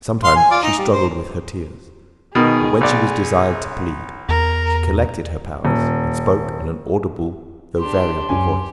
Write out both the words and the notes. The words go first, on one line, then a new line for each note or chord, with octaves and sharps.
Sometimes she struggled with her tears, but when she was desired to plead, she collected her powers and spoke in an audible although variable voice.
F5 C6
G#5
F4 D5
D#4
G3
C5
B2 D#3 G#4
B1 D5
E2 A#4
D#1
D4 G4 C6
F#2 C#4 G4 G#5